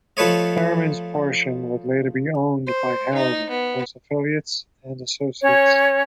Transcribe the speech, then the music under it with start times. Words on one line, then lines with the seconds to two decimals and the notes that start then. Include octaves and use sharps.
Harriman's portion would later be owned by Harriman, close affiliates and associates.
0.17 F3 A3 B4 C#5 D#5
2.67 C5
3.14 D#4
3.50 B3
5.42 C#4 C#5